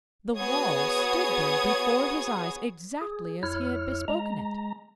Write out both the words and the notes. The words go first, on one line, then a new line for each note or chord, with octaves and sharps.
The wall stood there before his eyes, exactly as he had bespoken it!
B3 F#4 G#4 C#5 D#6 G#6
G#4
F2 E4 C#5 F6
G#3 A#5